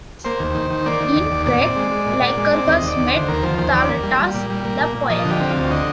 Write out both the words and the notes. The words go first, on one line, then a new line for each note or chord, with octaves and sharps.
In Crete, Lycurgus met Thaletas the poet.
A#3 C5
D#2
D#3
D#3
A#3 D5
D#3
D#2
D#2
A#2 D5
C4
G#3
G#3
A#2
A#2
G#3
C4
D#2 D#5
D#2
D5
D#2
C5
D3
D#2 A#4
F3 C5
D#2 C5
D#2 D5
A#3
G3
G3
A#2
G3
A#3
A#2
A#2
F3 D#5
D3
G4
C4
F4
D2
D3 D#5